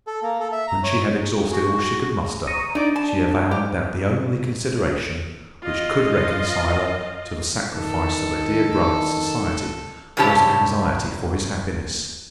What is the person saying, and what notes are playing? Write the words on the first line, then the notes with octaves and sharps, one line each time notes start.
When she had exhausted all she could muster, she avowed that the only consideration which could reconcile her to the sacrifice of her dear brother's society was anxiety for his happiness.
A4
A#3
A4
E5
A#5
C#5
F#4 G#4
A#5 C#6 D#6
D4 D#4 D5
A5
G4
F4 D#5
D#3 A4
G2 C3 C#4 G4 G#5 A5